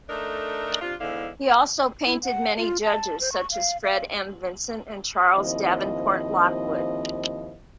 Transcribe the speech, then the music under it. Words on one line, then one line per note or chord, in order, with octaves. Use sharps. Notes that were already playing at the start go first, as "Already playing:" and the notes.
He also painted many judges such as Fred M. Vinson and Charles Davenport Lockwood.
A3 D4 D#4 A4 A#4
C3 D4 F4
E2 G#2 D3 E4 F5
E4
F#5
F4
A5
C5
C#6
F5
F5
D#2 F3 C4 E4 D#5